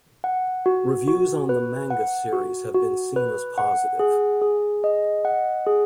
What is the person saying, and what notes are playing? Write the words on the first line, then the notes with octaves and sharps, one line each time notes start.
Reviews on the manga series have been seen as positive.
F#5
F#4
F#4
B4
F#5
F#4
F#4
B4
F#5
G#4
G#4
D#5
F#5
G#4